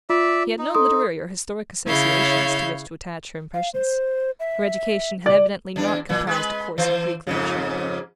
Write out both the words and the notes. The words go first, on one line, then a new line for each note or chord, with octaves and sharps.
She had no literary or historic associations to which to attach her impressions: her education had evidently not comprised a course in Greek literature.
F4 D5 E5
D#4
A4 C6 D#6
C#3 E4 C#5 F5 G6
F5
C5
E5
D5
E2 D4
A#2 E3
G#3 B4
E3 C5
F2 G#2 C#3